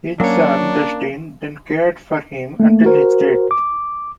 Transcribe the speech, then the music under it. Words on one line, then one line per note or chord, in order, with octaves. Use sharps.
His son Dustin then cared for him until his death.
F#3 A#3 C#4 D4 C#5
A3 A#3
F#4 A#4 C5
D6